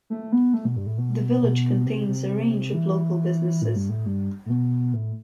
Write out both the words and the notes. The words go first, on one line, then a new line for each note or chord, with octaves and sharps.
The village contains a range of local businesses.
A3
B3
A3
B2
G2
A2
B2
B2
C3
C3
E3
A2
G2
A2
G2
A2
B2
A2